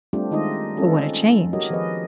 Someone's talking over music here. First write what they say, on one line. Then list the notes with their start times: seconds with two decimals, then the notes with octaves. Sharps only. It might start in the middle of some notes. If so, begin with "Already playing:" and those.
But what a change!
0.13 G3 A3 C4 D4 F4 G4
0.31 D#3 G#3 D#4 F4 D#5
0.77 C4 C#4 F4 A4
1.53 F#4 G4 A#4 C#5 D#5
1.70 D#3 F3 B3 G#4 B4 D#5